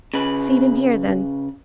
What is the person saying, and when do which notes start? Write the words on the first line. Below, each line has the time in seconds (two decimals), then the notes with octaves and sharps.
'Feed him here, then.
0.14 C#3 B4